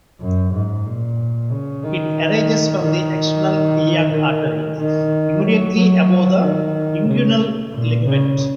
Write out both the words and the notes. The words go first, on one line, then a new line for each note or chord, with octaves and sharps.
It arises from the external iliac artery, immediately above the inguinal ligament.
F#2
G#2
A#2
C#3
D#3
D#3
D#3
D#3
F#3
F#3
D#3
C#3
A#2
C#3